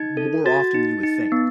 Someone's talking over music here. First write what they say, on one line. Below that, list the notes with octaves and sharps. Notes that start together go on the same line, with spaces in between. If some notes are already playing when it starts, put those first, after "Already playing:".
more often than you would think.
Already playing: D#4 G#6
A4
F#4 A6
D#4
D#4
B3